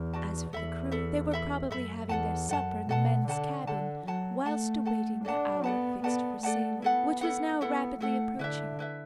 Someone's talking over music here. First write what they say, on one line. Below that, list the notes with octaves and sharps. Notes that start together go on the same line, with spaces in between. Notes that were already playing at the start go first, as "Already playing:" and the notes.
As for the crew, they were probably having their supper in the men's cabin, whilst awaiting the hour fixed for sailing, which was now rapidly approaching.
Already playing: E2
F#4 D5 A5
E2 A4 E5 B5
A4 E5 B5
A4 E5 B5
F#2 A4 E5 B5
E2 A4 F#5 A5
F#2 A4 F#5 A5
B2 A4 F#5 A5
D3 A4 F#5 A5
D3 A4 F#5 A5
F#3 A4 F#5 A5
A3 A4 F#5 A5
A4 F#5 A5
D4 A4 D5 F#5 A5
B3 A4 D5 F#5 A5
B3 A4 D5 F#5 A5
A3 A4 D5 F#5 A5
B3 E4 A4 F#5
E4 A4 F#5
B3 E4 A4 F#5
A3 E4 A4 F#5
D3 E4 B4 E5
E4 B4 E5